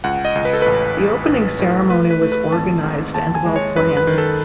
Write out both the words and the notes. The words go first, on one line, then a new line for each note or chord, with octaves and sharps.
The opening ceremony was organized and well planned.
C#2 F#5
D#5
C#2
B4
A4
A1 B4
A1
A1
A2
A3 B4
B4
A3
B4
G#1 A5
G#2
D#2 A5
G#5
G#3
C#5
F#2 B4
B4
D#3
A4